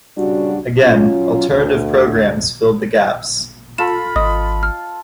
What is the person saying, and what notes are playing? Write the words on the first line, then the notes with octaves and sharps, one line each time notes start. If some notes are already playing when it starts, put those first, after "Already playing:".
Again, alternative programmes filled the gaps.
C#3 G3 D4 F#4
F#3 C#4 F4
D2
F4 A4 B5 E7
G#1 D#5 D#6
F6